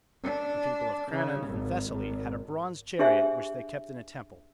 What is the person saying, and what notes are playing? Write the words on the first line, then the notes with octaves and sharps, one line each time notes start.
The people of Crannon in Thessaly had a bronze chariot which they kept in a temple.
D4
C#3
G#1
G#1
D4 G4 G#4 C5 E5 G#5